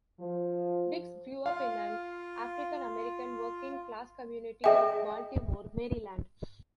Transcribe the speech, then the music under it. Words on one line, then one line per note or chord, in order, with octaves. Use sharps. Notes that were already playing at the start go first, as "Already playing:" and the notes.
Dix grew up in an African-American working class community of Baltimore, Maryland.
F3
F4 F5
G#4 D#5 E5 G5 G#5